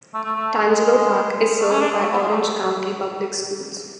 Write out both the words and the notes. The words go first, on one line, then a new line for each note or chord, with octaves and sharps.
Tangelo Park is served by Orange County Public Schools.
A3
A3
A3
G#3
A3
C#4
D4
G#3
A3
B3
G#3
A3